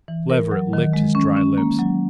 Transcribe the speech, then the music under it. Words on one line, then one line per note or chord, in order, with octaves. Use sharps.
Leverett licked his dry lips.
E3
A#4
F#3
D#3
G#3
C#4
C#4
A#3
F#3